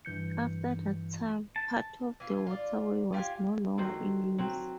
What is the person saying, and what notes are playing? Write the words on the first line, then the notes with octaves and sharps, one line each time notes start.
After that time, part of the waterway was no longer in use.
G2 E3 G6 C#7
A5
E3 F4
F4 D5
F4 G4 F5 G#5
D3 D#3 F#3 C5
F#3 C4